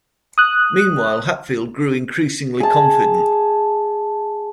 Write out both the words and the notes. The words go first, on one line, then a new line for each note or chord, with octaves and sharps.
Meanwhile, Hatfield grew increasingly confident.
D#6 F#6
G#4 A5